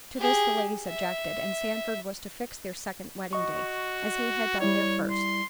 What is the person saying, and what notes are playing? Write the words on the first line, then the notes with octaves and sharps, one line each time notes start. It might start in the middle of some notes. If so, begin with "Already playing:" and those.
To this the ladies objected, and Sandford was to fix their second wedding-day, as he had done their first.
G4 G#4
E5
F#4 D#5 C#6
G3 E4 C#5 D5
C6